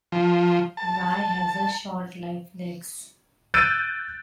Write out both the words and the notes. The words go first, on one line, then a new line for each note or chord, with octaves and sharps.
A lie has a short life legs.
F3
A5
E6 F#6 G6 A6 D7 D#7